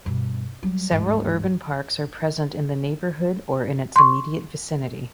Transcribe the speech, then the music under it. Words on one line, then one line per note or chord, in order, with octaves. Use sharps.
Several urban parks are present in the neighborhood or in its immediate vicinity.
G2 B2
F#3 G3
D1 G#2
C6 C#6